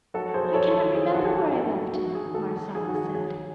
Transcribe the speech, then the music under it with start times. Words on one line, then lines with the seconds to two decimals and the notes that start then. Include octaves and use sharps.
"I cannot remember where I left him!" Marcella said.
0.14 F#3 F#4 A4
0.34 G#4 C5
0.44 F#3
0.54 A4 C#5
0.74 D#3 A4 C#5
0.94 G#4 C5
1.05 F#3
1.14 F#4 A4
1.34 G#2 G#4
1.64 G#2 F#4 A4
1.94 G#2 F#4 A4
2.15 G#4
2.24 D#3
2.34 F#4 A4
2.55 F#3
2.75 G#4
2.84 D#3 F#4
2.95 G#4
3.15 F#3 G#4